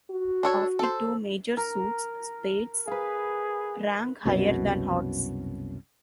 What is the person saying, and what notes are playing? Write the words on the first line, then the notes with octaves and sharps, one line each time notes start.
Of the two major suits, spades rank higher than hearts.
F#4
D4 A4 C#5
A4 C5
A#4
G#4 B4 F5
C2 F#2 B2